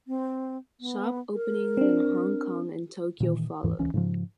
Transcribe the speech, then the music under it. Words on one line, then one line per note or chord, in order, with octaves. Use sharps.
Shop openings in Hong Kong and Tokyo followed.
C4
B3
A#4
C4 D4
A#2 D#3 E3
D#2 G#2 E3
D#1 C#2 E3 C#4
G#2 C#3 F3